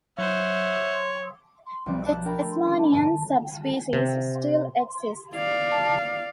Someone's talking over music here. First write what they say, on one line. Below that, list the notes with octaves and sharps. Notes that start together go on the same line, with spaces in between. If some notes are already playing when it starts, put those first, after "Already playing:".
The Tasmanian subspecies still exists.
F#3 C5 C#5 E5 F#5
B1 F3 G3 D6 F#6
G4 A5 F#6
D4 A#4 G5 B5
A3
C#4 D6
F1 G#2 D4 D7 D#7
C3
D5 F5